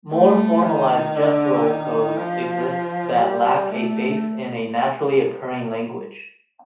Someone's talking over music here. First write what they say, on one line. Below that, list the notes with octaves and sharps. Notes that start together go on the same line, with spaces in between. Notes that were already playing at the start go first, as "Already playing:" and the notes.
More formalized gestural codes exist that lack a base in a naturally occurring language.
A3
D#3
D3
D#3
F3
G3
A3